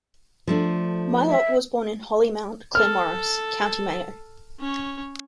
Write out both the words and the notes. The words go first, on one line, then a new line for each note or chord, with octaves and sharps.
Mylott was born in Hollymount, Claremorris, County Mayo.
F3 A3 D4
E5
A4 F6
C#4 C#5